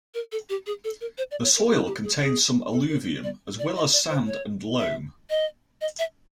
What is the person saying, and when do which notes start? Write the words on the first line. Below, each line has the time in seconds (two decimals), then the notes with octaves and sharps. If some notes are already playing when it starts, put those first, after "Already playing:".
The soil contains some alluvium as well as sand and loam.
0.14 A#4
0.32 A4
0.49 G4
0.66 G#4
0.84 A4
1.01 A#4
1.18 C5
1.31 D5
1.43 C#5
1.56 A#4
1.70 G4
1.87 G4
2.04 G#4
2.21 G#4
2.73 A4
2.89 A#4
3.24 D5
3.59 D5
3.76 D#5
3.92 D5
4.10 C5
4.27 C#5
4.79 E5
5.30 D#5
5.81 D#5
5.99 E5